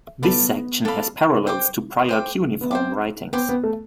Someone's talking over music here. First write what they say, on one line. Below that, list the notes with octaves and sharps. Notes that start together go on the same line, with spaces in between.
This section has parallels to prior cuneiform writings.
B3 A4 D5 F5 B5
A4 D5 F5 B5
C5 G5 D6
C5 G5 D6
B3
C4 C5 G5 D6
B3 C5 G5 D6
B3
A3